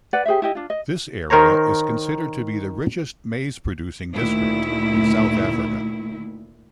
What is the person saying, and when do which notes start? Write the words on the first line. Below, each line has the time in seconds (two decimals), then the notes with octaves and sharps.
This area is considered to be the richest maize-producing district in South Africa.
0.13 B4 D5 F#5
0.25 G4 G#4 C5 E5
0.42 E4 G4 D#5
0.55 D4 F4
0.70 D#5
1.30 D#3 A#4 C5 C#5 A#5
4.13 D2 A#2 D#3 A3 E4